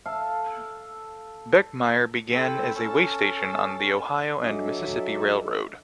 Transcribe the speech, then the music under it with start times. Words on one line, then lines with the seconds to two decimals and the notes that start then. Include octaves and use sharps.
Beckemeyer began as a way station on the Ohio and Mississippi Railroad.
0.06 A4 F5
2.32 C4 E4 A4
2.75 C#4 A4 A5
4.43 F#3 D4 A4 D#5 E5 G#5 D6